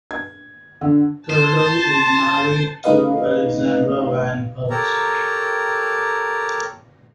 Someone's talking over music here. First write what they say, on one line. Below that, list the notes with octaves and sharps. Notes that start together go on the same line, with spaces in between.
Terlouw is married to Alexandra van Hulst.
G#6
D3
C5 A5
A3 D#4 G4 B4 D#5 F5
G4 A4 A#4 C#5 A#5